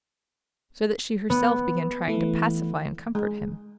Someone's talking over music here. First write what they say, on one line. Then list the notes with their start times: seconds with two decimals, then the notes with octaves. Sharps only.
So that she herself began trying to pacify and comfort him.
1.30 B3
2.08 E3 A3
3.15 G#3